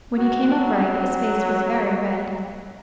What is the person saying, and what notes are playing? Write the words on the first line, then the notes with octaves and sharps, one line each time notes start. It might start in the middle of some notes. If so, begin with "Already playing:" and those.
When he came upright his face was very red.
F#4
F#3